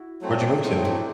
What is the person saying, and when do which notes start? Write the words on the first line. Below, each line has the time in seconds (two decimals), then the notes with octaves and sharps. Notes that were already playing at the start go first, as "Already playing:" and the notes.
Where'd you move to?
Already playing: E4 F#4
0.22 F#3 A3 C4
0.63 F#3 A3 C4 D#4 F4
0.85 D4 E4